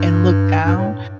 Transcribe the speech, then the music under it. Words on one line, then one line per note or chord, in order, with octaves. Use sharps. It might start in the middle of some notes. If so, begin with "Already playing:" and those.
and look down
Already playing: G2
G2
A2